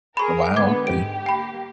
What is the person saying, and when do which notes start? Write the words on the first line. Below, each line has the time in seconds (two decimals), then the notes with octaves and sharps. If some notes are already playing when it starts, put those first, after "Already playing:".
Oh, wow. Okay.
0.17 G#4 A#4 B5 C#6
0.56 D3 G#3 B3 B4 D6 G#6
0.87 G#2 G4 D7
1.26 A#3 G5 B5